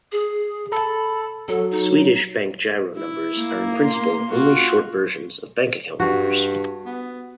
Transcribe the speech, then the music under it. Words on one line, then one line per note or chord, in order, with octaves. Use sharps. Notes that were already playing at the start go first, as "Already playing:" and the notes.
Swedish Bankgiro numbers are in principle only short versions of bank account numbers.
G#4
A4 B5
F#3 A4
D#4
E4
A#3
C6
F4 F#4
G2 F#4
B3